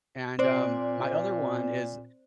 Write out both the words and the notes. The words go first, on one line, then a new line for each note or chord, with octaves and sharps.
and, um, my other one is
A#2 C4 C5 D5